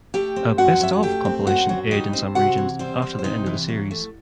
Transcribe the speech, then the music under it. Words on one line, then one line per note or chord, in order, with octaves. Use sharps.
A "Best Of" compilation aired in some regions after the end of the series.
A3 G4 G5
C4
F#2 F#4 F#5
F#3 E5
F#5
A3 G4 G5
C4
F#2 F#4 F#5
F#3
G3 D#4 D#5
C4
C3 F#4 F#5
E3
G3 C4 C5
C4
C5
C3 D#4 D#5
E3
F#3
A3